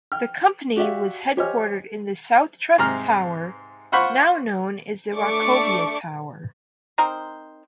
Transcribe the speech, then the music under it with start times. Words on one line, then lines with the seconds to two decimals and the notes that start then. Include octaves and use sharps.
The Company was headquartered in the SouthTrust Tower, now known as the Wachovia Tower.
0.12 G5 F6
0.76 F#4 G4 D5 E5 F5
1.37 G4 C5 C#5 D#5 G#5 F6
2.78 G#2 C3 A#5 F6
3.92 F4 C5 F#5 B5 C#6
5.16 A3 D4 C#6 D6 C#7
6.98 C4 D#4 A#4 C5